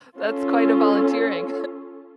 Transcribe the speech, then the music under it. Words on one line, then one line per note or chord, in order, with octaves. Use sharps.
that's quite a volunteering.
C#4 F4 A4